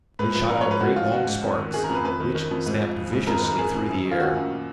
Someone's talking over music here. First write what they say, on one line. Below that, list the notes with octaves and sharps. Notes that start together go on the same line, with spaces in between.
It shot out great long sparks, which snapped viciously through the air.
G#2 B4
F3 B4
F3 A#4
G#2 C#5
B4
G#2 F#4
F3 F4
F3 F#4
G#2
F2
D#3
D#3 G#4
A#4
F2 B4
F2 B4
D#3
D#3
F2
G#2
F3
F3
G#2
F2 A#4
D#3 B4
A#4
D#3 G#4
F2
F#2
D#3
F4
D#3 F#4
F#2
A#2